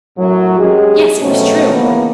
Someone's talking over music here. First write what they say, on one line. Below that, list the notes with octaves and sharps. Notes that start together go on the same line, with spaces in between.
Yes; it was true.
F#2 A2 F#3
G#3 C#4 G4 G#4
B2 F#3 A3 C4 C#4
C#3 E3 A#3 B3